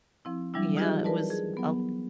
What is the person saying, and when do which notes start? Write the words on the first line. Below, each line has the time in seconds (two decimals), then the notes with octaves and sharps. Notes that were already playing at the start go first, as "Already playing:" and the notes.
Yeah, it was a l
0.25 F3 C4 E4
0.54 E3 F#3 G3 D4 E4
0.77 D#4 F4 G4 G#4 D#5 E5
1.04 A#4 B4 D5 A5
1.30 G#4
1.57 F#3 B3